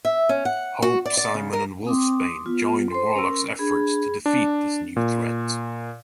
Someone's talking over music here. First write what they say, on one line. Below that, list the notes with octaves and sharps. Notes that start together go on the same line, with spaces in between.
Hope, Psimon and Wolfsbane join Warlock's efforts to defeat this new threat.
E5
C#4
F#5
F#4
D5
D5
C#3
A#4
C4 C6 D6 D#6
B3 F4
A4 C5 C6
C#4 A#4 E6
D4 G#4 B5
D4
A#2